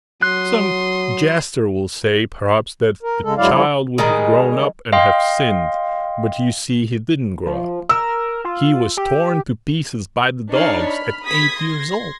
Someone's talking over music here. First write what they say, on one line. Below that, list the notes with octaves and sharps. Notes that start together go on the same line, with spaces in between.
Some jester will say, perhaps, that the child would have grown up and have sinned, but you see he didn't grow up, he was torn to pieces by the dogs, at eight years old.
F#3 C6 D#6 F#6
A#4
C#3 G#3 A4
G2 F#3 G#3 E4 D5 F5
D3 F3 G3 E4
D#3 G3 G#3 D#4
D#5 F5 G5 C6
F3
A#4 E6
F4
G4
D4 D#4 C#5 F6 A6 C7
B5 F6
B5 D#6 G#6 B6
C6 G#6 A#6